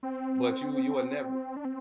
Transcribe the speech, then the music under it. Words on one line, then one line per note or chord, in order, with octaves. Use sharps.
But you you are never
C4
D4
C4